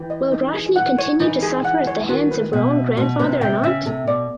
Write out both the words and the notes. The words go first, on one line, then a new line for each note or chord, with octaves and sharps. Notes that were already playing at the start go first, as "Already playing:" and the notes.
Will Roshni continue to suffer at the hands of her own grandfather and aunt?
Already playing: E3 G5
D#5
D#4
G#4
F#5
C#5
E3 D#4
G#4
F#5
C#5
D#3 F#4
B4
B2 G5
E5
B2 F#4
C3 B4
C3 G5
C#3 E5
C3 A4
B2 D5